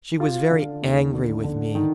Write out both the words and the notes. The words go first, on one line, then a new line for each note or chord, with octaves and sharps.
She was very angry with me.
F4
D3
D#2
D3
D3
D#3